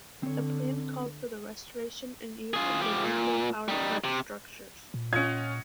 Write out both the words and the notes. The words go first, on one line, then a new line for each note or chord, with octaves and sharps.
The plan called for the restoration and use of the Rossdale Power Plant structures.
D3 C4 C#5
F4 G#4
F3 G4
A#2
G3 D#4
C3
A#2
C#4 F4 D#5 F#5 G#6